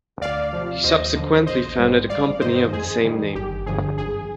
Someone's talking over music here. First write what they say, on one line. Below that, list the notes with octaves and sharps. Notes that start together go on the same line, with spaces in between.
He subsequently founded a company of the same name.
D2 D5 F5
C3 F3
D#2 C5 D#5
D3 F3
A#1 C5 D#5
G#2 G3
G#1 D5 F5
G2 D#3 C5 D#5
F2 G#4
D#3 G3
G1 G4
G2 D3 F3 G#4
G#1 G#4